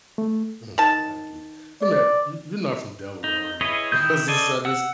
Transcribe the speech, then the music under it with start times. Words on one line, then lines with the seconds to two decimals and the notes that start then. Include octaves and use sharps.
Okay, I get it. I mean, you you're not from Delaware, are you? Because this this
0.18 A3
0.78 D#3 A5
1.82 D5
3.24 D#4
3.61 E4 G#4 B4 C#5 D#5
3.92 D#3 E4 D#6 G6
4.28 A4 C5 D5 D#5 G#5
4.65 F#5 E6